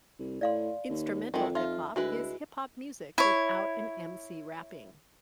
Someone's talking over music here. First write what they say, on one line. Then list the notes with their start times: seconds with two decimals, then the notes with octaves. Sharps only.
Instrumental hip hop is hip hop music without an emcee rapping.
0.19 C2
0.41 A2 D5 F5 C6
0.89 D#2
1.34 F2 D#3 G#3 E4
1.55 D#4 F4 E5
1.96 D2 G#3 E4 F#4 B4
3.18 E4 C#5